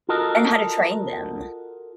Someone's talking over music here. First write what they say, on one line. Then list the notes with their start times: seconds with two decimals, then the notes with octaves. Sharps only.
And how to train them.
0.09 F4 F#4 A4 A#4 D#5